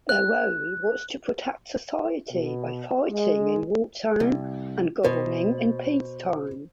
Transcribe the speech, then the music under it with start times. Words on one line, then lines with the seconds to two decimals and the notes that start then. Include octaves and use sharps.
Their role was to protect society by fighting in wartime and governing in peacetime.
0.09 F#6
2.31 B2
3.08 G#3
4.20 C2
5.04 B2 C5